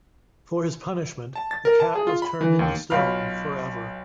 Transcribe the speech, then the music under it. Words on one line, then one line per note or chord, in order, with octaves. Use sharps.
For his punishment, the cat was turned into stone for ever.
A5
A6
A#4
A5
G#4
F4
B5
E3
D#2
B1 F4 F5 B5 F6